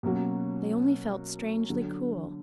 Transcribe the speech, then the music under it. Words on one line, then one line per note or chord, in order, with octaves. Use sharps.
They only felt strangely cool!
B2 F#3 A#3 C#4 F#4
D3 F#3